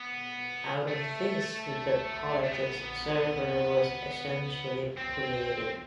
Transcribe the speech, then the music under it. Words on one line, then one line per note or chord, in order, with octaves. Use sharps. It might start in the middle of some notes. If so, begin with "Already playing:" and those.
Out of this the Politics server was essentially created.
Already playing: B3
A3
A3
B3
C4